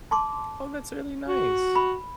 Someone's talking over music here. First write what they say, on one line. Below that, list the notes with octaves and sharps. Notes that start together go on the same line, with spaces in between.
Oh, that's really nice.
A5 C6 D6
F#4
B5